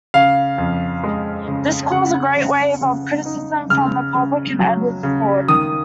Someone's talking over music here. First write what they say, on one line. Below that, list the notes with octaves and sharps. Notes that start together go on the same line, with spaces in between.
This caused a great wave of criticism from the public and Edward's Court.
C#3 F5
F2
G#3
C#3
C#3 F#5
C#3
C#3
D#4
C#3 F6
C#3
F#3
C#3
D#3 D#6